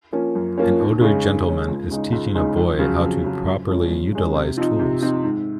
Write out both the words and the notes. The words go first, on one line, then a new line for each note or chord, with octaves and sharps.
An older gentleman is teaching a boy how to properly utilize tools.
F3 A#3 C#4
F#2
F3 A#3 C#4
D#2
C#3 G#3 C#4
D#2
C#3 G#3 C#4
C#2
C#3 G#3 D#4
C#2
C#3 G#3 D#4
F2
C#3 F#3
F2
C#3 F#3
F#2
F3 G#3 C#4
F#2
F3 G#3 C#4
C3
F3 C4 D#4
C3
F3 C4 D#4
G#2